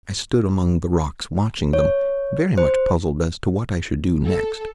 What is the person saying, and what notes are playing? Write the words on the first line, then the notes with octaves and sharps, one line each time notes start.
I stood among the rocks watching them, very much puzzled as to what I should do next.
C#5
C5
A4